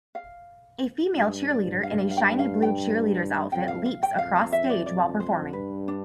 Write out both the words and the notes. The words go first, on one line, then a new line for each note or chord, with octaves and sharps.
A female cheerleader in a shiney blue cheerleaders outfit leaps across stage while performing.
F5
G2
G2 D5
F5
F5
G5
F5
G5
F2 G5
F5
F5
G5
F2 F5
F5
E5
D5
D5
C5
G2 B4
D4